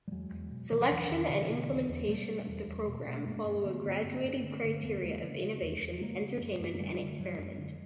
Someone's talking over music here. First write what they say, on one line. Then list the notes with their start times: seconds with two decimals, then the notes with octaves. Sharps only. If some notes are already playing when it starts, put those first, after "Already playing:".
Selection and implementation of the program follow a graduated criteria of innovation, entertainment and experiment.
0.08 G3
0.11 E2 F#3 G#3
0.31 E2
0.51 B2
0.71 B2 E3
0.80 F3
0.90 E2 E3 F#3
1.09 E2 D#3
1.29 B2 D3 E3
1.49 B2
1.69 E2
1.89 E2
2.08 B2 G3 A3
2.28 B2
2.48 E2
2.67 E2
2.87 B2
3.07 B2
3.16 A3
3.26 G2 G#3 A#3
3.45 G2
3.65 D3 A3 B3
3.84 D3 A#3 C4
4.04 G2
4.24 G2
4.43 D3
4.64 D3
4.83 E2 A3 B3
5.02 E2 G#3 A#3
5.23 C#3
5.42 C#3
5.61 E2
5.81 E2
6.01 C#3 G#3 A#3
6.21 C#3
6.41 F#2
6.60 F#2
6.74 A#3
6.79 D3 G3 A3
7.00 D3
7.19 F#2 F#3 G#3
7.38 F#2
7.58 D3